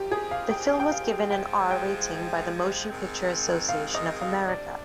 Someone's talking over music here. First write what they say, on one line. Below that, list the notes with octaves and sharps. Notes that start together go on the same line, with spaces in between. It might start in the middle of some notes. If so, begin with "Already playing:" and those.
The film was given an "R" rating by the Motion Picture Association of America.
Already playing: A#2 F3 C4 D#4 G4
G#4
F5
G5
G5
F5
G#2 F3 G#3 G5
G5
G#2 D#3 G#3 C4
F5
D#5
F5
F2 C3 G3 D4 D5